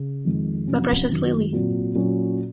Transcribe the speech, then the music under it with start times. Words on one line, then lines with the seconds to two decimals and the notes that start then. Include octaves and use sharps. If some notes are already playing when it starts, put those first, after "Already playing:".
My precious Lily!
Already playing: C#3
0.24 F2 D#3 G#3
0.67 F2 C3 F#3 C#4
1.11 F#2 D#3 F#3
1.52 A#2 F#3 C4
1.95 A#2 F#3 C#4 F#4